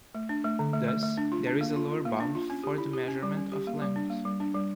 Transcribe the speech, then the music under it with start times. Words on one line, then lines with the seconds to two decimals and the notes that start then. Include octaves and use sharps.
Thus there is a lower bound for the measurement of length.
0.15 A3
0.29 D4
0.44 A3
0.59 D3
0.73 A3
0.88 A3
1.03 A3
1.17 D4
1.32 F4
1.47 D4
1.61 A#3
1.76 F4
1.91 F4
2.05 A#3
2.20 D4
2.35 F4
2.50 C#4
2.63 G4
2.78 E4
2.93 G4
3.08 C#4
3.23 G3
3.37 C#4
3.52 G4
3.67 A#3
3.82 G3
3.96 D4
4.10 A#3
4.25 G3
4.40 D4
4.55 G3